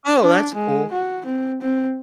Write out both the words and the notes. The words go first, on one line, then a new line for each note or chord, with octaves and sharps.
Oh, that's cool.
D4
G#3
F#4
C4
C4